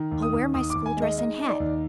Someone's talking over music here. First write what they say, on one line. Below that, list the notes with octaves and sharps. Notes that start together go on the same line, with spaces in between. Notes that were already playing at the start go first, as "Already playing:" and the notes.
I'll wear my school dress and hat.
Already playing: D#3
D#2
D#6
D#2
D#2 D#6
D6
D#2
G#5
G#3
D#5
D#4 D#5
D#4
D5
D#2